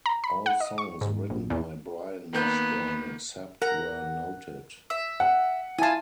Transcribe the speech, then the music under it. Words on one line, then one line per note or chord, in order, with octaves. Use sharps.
All songs written by Brian Mashburn except where noted.
A#5
B5
F#5
D#5
C#6
G#2
A#1
E2
D#3 A#3 B3 G6
A#4 F#5 A#5
E5
F#5
E4 F4 G#5 A5